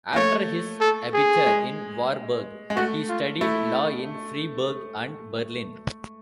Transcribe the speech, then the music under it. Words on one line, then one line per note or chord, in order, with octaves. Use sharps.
After his "Abitur" in Warburg he studied law in Freiburg and Berlin.
A#3
A3 C#5
A4
G#4
G#3
G#3
A3 F#4
F4
A3 E4